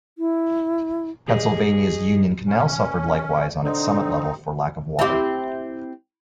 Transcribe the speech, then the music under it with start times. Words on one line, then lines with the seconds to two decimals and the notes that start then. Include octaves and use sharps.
Pennsylvania's Union Canal suffered likewise on its summit level for lack of water.
0.18 E4
1.28 G2 G4 G#4 D#5
2.47 C#4
3.63 D3 C4 D#4
4.99 C4 E4 G4